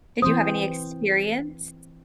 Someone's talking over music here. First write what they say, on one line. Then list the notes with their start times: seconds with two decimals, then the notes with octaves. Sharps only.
Did you have any experience?
0.22 E3 C4 C5 D#6